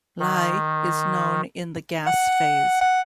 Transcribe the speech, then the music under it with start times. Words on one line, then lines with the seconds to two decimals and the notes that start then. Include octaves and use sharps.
Li is known in the gas phase.
0.20 D#3
2.07 F#5
2.81 F#5